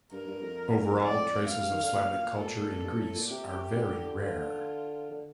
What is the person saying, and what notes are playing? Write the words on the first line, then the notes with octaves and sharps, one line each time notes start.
Overall, traces of Slavic culture in Greece are very rare.
G2 A#4
G2
F2
D5
G2 F5
G2
D#3
D3
A#2
A4
G2
A#2
A2
A#2
C3 G4
D3
F4
D3